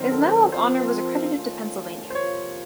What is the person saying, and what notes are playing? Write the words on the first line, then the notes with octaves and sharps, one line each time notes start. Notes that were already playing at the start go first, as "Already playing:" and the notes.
His Medal of Honor was accredited to Pennsylvania.
Already playing: D#3 F#3 C4 A#4 C5
A4
A4
F3 C4 F4 C5
D#3 A3 C#4 F4
C5
C3 F3 A#3 F4 C#5